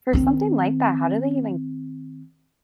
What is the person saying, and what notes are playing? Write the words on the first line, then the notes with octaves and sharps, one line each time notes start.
for something like that, how do they even
D#3 C4